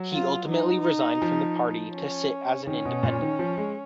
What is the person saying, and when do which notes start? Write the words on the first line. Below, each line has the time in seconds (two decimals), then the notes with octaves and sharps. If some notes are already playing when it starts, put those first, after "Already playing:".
He ultimately resigned from the party, to sit as an Independent.
Already playing: F#3
0.13 F4
0.48 D#4
1.22 F3
1.95 C#4
2.66 D#3 C#4
2.85 B2
3.03 A#2
3.22 D#3
3.39 F3
3.58 G#3